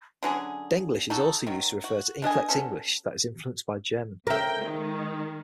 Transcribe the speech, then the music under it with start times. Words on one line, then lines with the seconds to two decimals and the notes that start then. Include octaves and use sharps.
Denglish is also used to refer to incorrect English that is influenced by German.
0.23 D3 F#3 C#4 G#4
1.10 D#4 F#4 A4
1.47 D#3 F#3
1.84 F#4
2.22 B2 D4 D#5 G#5
2.49 B2 C#4 A4
4.27 C#3 A#4 E5 G5
4.61 D#3 G#3